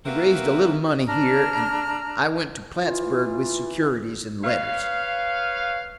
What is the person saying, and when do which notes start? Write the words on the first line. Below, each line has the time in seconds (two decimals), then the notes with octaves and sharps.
He raised a little money here, and I went to Plattsburg with securities and letters.
0.05 A#3 C4 F#4 A#4 B4 E5
1.06 D4 A#5 F6
2.83 E3 F4
4.44 B4 C#5 F5